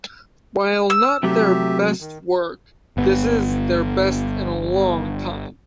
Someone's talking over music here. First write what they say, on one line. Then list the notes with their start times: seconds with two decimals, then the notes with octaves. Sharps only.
While not their best work, this is their best in a long time.
0.90 E6
1.23 C3 F#3 A3 G4 E5
2.00 D#3
2.97 G1 B3